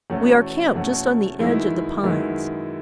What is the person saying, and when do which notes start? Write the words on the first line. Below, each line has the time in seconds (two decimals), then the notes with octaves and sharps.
We are camped just on the edge of the pines.
0.10 E2 B2 A3 C#4 F#4
0.75 E2 B2 A3 C#4 F#4
1.39 F#2 D#3 G#3 B3 E4
2.03 F#2 D#3 G#3 B3 E4